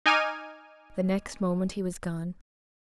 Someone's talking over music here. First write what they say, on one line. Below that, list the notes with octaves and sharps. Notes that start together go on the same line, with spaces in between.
The next moment he was gone.
D#4 G#5 D6 F6 D#7